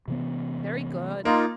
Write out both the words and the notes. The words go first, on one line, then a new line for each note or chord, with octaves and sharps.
Very good.
C3 E3 B3
A#3 D#4 F4